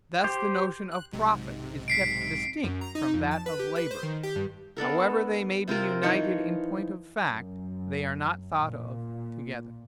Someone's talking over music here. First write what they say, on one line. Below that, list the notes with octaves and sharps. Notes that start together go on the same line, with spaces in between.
Thus the notion of profit is kept distinct from that of labor; however they may be united in point of fact, they are not thought of together.
G4 C5
F#6
B1 G#2 C3
B6 C7 D7
F#2
A#5
D#4
F2
A5
B4
G4
B4
C5
D#3
G4
G2
B3 D4 A4 A#4
C3 C4 F4 A#4
E3 F3 D#4 C#5
F#2
A#2